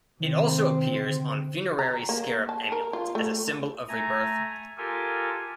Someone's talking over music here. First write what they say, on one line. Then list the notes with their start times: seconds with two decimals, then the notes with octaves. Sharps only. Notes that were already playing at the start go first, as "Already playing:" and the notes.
It also appears on funerary scarab amulets as a symbol of rebirth.
0.20 C3 D#3 C4
0.86 D3
1.79 A#5
2.09 A#3
2.49 A5
2.72 A#4
2.93 F4
3.15 A3
3.88 A3 G#5 A#5
4.77 F4 G4 A4 A#4 G#5